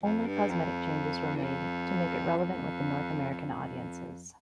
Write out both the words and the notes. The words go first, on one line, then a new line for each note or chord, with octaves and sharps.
Only cosmetic changes were made to make it relevant with the North American audiences.
F2
G2
F2
E2
F2
F2
F2